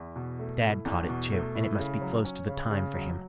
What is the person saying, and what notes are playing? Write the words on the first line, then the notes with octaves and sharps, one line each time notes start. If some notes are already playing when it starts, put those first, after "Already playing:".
Dad caught it, too, and it must be close to the time for him.
Already playing: E2 E4
B2
A3
E4
E2
B2
A3
E4
C#3
F#3
C#4
C#3
C#3
F#3